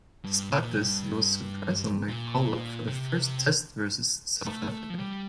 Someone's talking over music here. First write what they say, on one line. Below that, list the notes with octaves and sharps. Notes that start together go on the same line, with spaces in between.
Despite this he was, surprisingly, called up for the first Test versus South Africa.
G2
A#2
G2
A#2
C3
A3
A3
F3
G3